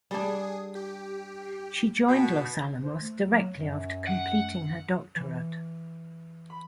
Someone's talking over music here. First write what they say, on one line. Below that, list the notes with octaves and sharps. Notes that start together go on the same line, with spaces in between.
She joined Los Alamos directly after completing her doctorate.
G3 D4 G#4
G4
B2
C5
A3
F#3
F#2
F#5
E3
B5